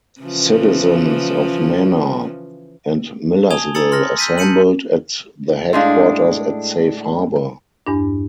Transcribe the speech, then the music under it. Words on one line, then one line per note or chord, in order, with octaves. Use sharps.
Citizens of Manor and Millersville assembled at the headquarters at Safe Harbor.
C#3 E3 F3
G#5 A5 D#6 G#6 F7 G7
A#5 D#6 E6 A6 C#7 F#7
C6 F6 A#6
E6 G6 B6 D#7
A5 G6 C#7 D#7 F#7
A2 G#3 D4 F5 C6
E2 G2 D4